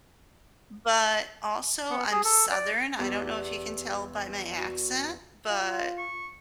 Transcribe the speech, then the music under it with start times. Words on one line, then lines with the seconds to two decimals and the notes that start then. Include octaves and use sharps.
but, also, I'm Southern, I don't know if you can tell by my accent, but
1.90 B3
2.12 G#4
2.24 A4
2.51 D5
2.99 E2 G4 D5
4.56 F#4
5.48 F4
5.98 C#6